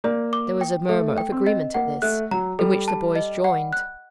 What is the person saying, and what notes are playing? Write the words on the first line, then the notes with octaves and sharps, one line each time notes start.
There was a murmur of agreement at this, in which the boys joined.
A#3 D5
D6
G5
A3 A4
G5
C4
D#5
A#3 F#5
A3 F#6
F#3 A#5
G3 A4
A5
D#5
F#5
F#6